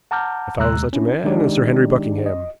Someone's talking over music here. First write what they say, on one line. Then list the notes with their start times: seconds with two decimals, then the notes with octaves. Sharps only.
I found such a man in Sir Henry Buckingham.
0.11 F#5 A5 A#5 D6 F6 G6
0.58 D#2 C3 G#3 A#5 E6 F#6
0.93 C#4 D4 E4
1.24 D#3 G#3 D4 D#4 G4 D5
2.26 D#5